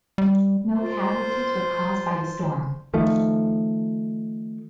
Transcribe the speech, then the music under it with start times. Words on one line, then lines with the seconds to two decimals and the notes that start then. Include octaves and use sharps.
No casualties were caused by the storm.
0.18 G3
0.81 F4 C5
2.94 D#3 F3 A3